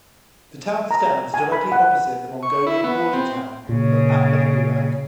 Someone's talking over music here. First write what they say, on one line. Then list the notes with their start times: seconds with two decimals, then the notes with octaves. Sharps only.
The town stands directly opposite the Mongolian border town of Altanbulag.
0.91 A#5
1.34 G#5
1.52 B5
1.72 F#5
2.43 C#6
2.67 E4
2.84 B3
3.13 C4
3.69 A#2 C#3